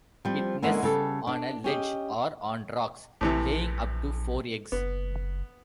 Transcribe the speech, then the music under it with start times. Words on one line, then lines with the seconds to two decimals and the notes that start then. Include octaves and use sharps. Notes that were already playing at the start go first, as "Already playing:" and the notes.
It nests on a ledge or on rocks, laying up to four eggs.
0.25 F3 G3 C4
0.62 D3 G#3 A#3 B3 C#4 E4
0.83 C#3 G3 A4
1.27 D4
1.64 C#4 G4 D#5
3.21 A#1 A2 C3 E3
4.72 F#1 B3